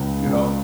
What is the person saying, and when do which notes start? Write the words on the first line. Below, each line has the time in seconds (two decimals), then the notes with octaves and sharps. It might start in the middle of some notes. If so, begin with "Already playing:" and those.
you know?
Already playing: C#2 C#3 G#3
0.23 C#2 C#3 G#3